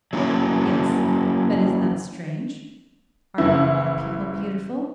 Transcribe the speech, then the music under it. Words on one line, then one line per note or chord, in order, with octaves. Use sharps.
"Yes; but is that strange--are not all people beautiful?"
F#3 A#3 C#4 E4 C#5
F#1 E3 E4